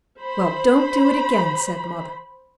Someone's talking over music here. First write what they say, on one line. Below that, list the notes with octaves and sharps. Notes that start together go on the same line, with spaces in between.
'Well, don't do it again,' said mother.
C5 B5